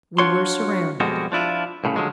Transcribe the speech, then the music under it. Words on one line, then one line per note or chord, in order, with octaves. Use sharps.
We were surrounded.
D4 F4 F#4 C#5 C6
F2 B2 G3 G#3 F#4
F3 D4 E4 F4
C2 A2 C#3
D3 F3 F#3 G#3